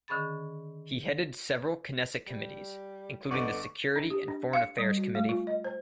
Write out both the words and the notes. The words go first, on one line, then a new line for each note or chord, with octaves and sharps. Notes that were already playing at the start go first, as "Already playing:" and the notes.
He headed several Knesset committees, including the Security and Foreign Affairs committee.
D3 D#3 C#4 G#4 B5 A6
G3
G1 D3 B3 D5 D#5 C#6 D6
D4
G4
D4
F5
G3
F#4
A3
F4
D#5
C5